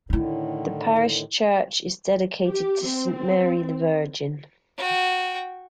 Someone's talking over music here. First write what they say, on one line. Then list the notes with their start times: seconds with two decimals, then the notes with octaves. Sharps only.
The parish church is dedicated to Saint Mary the Virgin.
0.10 A2 D3 D#3 D#4 E4
2.49 G4
2.85 C4
4.78 F#4 G5